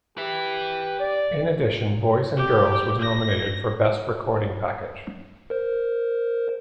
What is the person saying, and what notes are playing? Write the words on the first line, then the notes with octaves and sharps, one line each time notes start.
In addition, "Boys and Girls" was nominated for Best Recording Package.
G4 B4 E5
D5
G4
A#6
A#4 C5